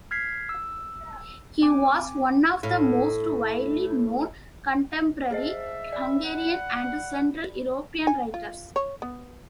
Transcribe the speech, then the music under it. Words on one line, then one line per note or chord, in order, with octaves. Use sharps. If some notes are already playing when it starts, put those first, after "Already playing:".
He was one of the most widely known contemporary Hungarian and Central European writers.
F6 G#6 B6 C7
E6
C4 G#5 D6
A2 F5
G#4 C5 D#5 E5
D5 B5
F#5
G#5
F4
C#5
B3